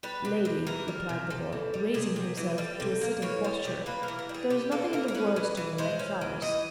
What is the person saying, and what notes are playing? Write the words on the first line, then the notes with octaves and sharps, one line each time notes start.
"Lady," replied the boy, raising himself to a sitting posture, "there is nothing in the world to me like flowers."
G3 B4
C3
C3
E3 A#4
G3
C3
C3 A4
E3
G3
C3 G#4
C3
E3
G3 A4
C3
A#3
E3 C#5
G3
C3
A#3 B4
A#4
E3
A#4
G3
G#4
C3 G4
A#3 A4
E3 A#4
A#4
C#4 B4
E3
E3
G#3 C5
C#4
E3
E3 D#5